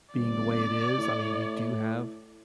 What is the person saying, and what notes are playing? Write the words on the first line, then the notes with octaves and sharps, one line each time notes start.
being the way it is, I mean, we do have
G1 D5
A2